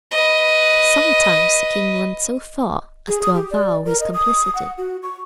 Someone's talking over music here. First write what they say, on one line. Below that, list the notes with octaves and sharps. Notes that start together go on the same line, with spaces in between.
Sometimes the king went so far as to avow his complicity.
B4 D#5
G#4
D#6
G4
D5
A#4
D#5
D#6
F#5
F#4
C#6